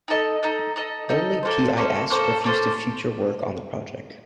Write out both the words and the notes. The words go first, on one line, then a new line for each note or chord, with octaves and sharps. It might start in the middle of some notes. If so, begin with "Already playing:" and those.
Only PiS refused to future work on the project.
D#4 A4 D#5
D#4 A4 D#5
D#4 A4 D#5
D#4 A4 D#5
A#3 C#4 A4 C5
A#3 C#4 A4 C5
A#3 C#4 A4 C5
A#3 C#4 A4 C5